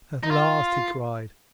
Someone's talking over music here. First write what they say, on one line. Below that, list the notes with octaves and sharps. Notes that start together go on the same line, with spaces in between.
"At last!" he cried.
D#4
F4